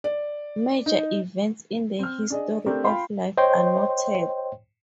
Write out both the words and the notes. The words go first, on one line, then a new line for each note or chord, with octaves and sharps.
Major events in the history of life are noted.
D5
D#4
C4 F6
D4 G#4 D#5
A3 C4 D4 G4 A#4
F4 F5 G5 B5 C6
C5 C#5 D#5 G5 C6